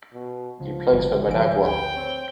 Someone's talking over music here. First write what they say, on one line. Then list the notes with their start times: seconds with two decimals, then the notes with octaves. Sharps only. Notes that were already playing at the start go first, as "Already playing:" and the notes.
He plays for Managua.
0.13 B2
0.60 C#2 F3
0.92 G1 E3 G3
1.27 G#1 F3 G#4 D7
1.66 D2 G5 B5
1.95 C4 C#5